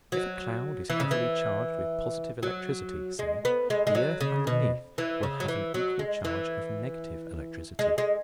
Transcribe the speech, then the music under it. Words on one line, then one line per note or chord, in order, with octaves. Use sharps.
If a cloud is heavily charged with positive electricity, say, the earth underneath will have an equal charge of negative electricity.
F#3
E3
C#3
E3
F#3
G#3
B3
G#3
G#3
F#3
C#3
B2
E3
C#3
F#3
E3
F#3
G#3
E3
G#3
G#3